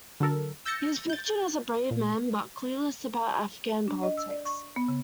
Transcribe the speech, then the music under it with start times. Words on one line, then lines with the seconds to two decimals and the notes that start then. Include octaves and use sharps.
He is pictured as a brave man, but clueless about Afghan politics.
0.20 D3 F#3 A4 A#4
0.65 E6 G6 A6 A#6 C#7
1.10 G6 A6
1.91 A#2
3.88 D4
4.03 D#5
4.17 E6
4.30 D5
4.46 C#6
4.76 B3
4.88 C#3